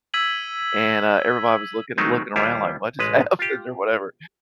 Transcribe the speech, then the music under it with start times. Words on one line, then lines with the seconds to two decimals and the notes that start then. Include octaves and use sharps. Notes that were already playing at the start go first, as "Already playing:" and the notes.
And, uh, everybody was looking looking around like, "What just happened?" Or whatever,
0.14 E6 G#6 B6 D#7 F#7
1.97 D#3 F#3 G#3 A3 C4 D#4
2.36 D#2 G3 E4 F4
2.99 A1 G#3 B4
3.39 F4 G4